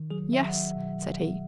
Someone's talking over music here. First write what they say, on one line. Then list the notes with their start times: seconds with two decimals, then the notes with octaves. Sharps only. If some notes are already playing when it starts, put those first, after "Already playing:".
"Yes," said he.
Already playing: D#3
0.10 F#3 G#4
0.33 E5
0.44 F#3 F#5
0.54 E5
0.75 B2